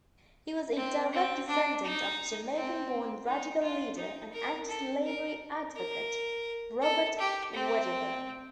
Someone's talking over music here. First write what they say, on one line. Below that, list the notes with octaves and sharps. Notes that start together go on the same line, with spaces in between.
He was a direct descendant of Jamaican-born radical leader and anti-slavery advocate Robert Wedderburn.
C4
C4
D4
D#4
C4
D#4
F4
D#4
A#4
A4
A#4
A#4
A4
G4
C4